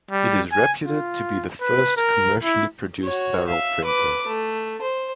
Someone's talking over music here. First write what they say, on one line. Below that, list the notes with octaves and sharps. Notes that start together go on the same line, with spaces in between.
It is reputed to be the first commercially produced barrel printer.
G3
G#5
F4
B4
A#4
E4
F#4 C#5
E5 F5
B4 D6
A3
C5